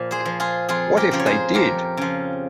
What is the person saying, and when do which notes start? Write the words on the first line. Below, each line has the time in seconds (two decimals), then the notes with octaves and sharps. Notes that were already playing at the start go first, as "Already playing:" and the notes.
What if they did!
Already playing: A#2 F3 A#4
0.11 G#4 C5
0.25 F3
0.40 F4 G#4
0.69 F2 F4 G#4
0.97 G4 A#4
1.11 C#3 F3
1.20 C#5
1.26 G#4 C5
1.54 F2 G4 A#4
1.97 C#3 F3